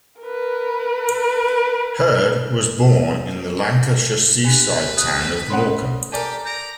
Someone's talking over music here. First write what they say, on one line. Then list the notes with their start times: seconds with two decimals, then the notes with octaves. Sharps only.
Hird was born in the Lancashire seaside town of Morecambe.
0.22 A#4 B4
4.45 D4 G4 B4 G#5
4.97 D#6 F#6
5.50 C4 C#4 F#5 B5 C6
6.12 G4 A4 A#4 D5 G#5 A5
6.45 A#5 G6 D7